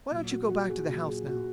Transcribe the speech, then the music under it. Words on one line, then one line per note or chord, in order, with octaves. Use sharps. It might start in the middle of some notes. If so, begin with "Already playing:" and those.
"Why don't you go back to the house now!"
A#2 F#3
F#4
F#4
G#4
A#2 F#3
G#4
F#4